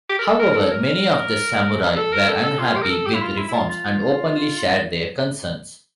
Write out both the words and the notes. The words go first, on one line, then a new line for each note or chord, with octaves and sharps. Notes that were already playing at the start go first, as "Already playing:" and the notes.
However, many of the samurai were unhappy with reforms and openly shared their concerns.
G4
A#4
A4
A#4
A#4
A4
A#4
A4
A#4
A4
A4
F4
G4
A#4
A4
G4
E4
F4
E4
E4
F4
F4